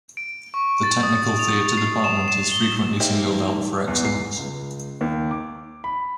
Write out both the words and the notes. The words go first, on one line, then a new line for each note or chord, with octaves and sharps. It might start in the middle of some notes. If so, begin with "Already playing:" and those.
The technical theater department is frequently singled out for excellence.
D7
C#6
A6
D#6
F7
C7
E7
E7
G7
E3 A3 A#3 C4 D#4 G4 D#5 E5
E2
C7
C#2
D#2
D6
B5